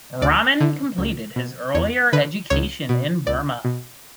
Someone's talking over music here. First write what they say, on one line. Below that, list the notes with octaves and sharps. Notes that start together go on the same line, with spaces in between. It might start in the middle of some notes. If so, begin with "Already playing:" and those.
Raman completed his earlier education in Burma.
D2 D5
D3
C#2
B2
E2 C#5
D3 B4
C#2 C#5
B2
C#2 D5
B2